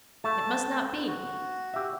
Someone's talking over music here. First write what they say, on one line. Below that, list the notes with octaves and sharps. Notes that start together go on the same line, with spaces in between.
It must not be!
A3 A5
F#4
G4 E5